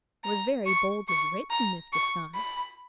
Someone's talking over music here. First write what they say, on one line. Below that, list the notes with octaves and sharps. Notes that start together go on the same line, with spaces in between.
"It was very boldly written, if disguised."
A#5
C#6
C#6
A#5
C#6
B5